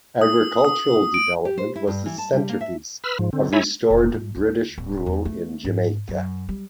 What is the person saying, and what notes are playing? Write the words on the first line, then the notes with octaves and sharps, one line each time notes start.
Agricultural development was the centrepiece of restored British rule in Jamaica.
D#6
D#6
D7
G4
C5
E4
G2
E3
A5
G3
A#3
E5
B4 B5 E6 F6
G#2 F3
D3 C4
E4 C#5 E5 G#5 A#5 B5
F1
G#2
D2
D1
E2
A3
G#2
F#2
G3